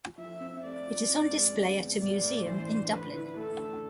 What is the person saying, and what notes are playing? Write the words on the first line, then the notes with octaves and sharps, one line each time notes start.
It is on display at a museum in Dublin.
F3 E5
C4
A3 D5
F4
F2
G#3
D3
B3
A2 D5
A3
E3 C5
D4
D3 B4
E4
A3 A4
D3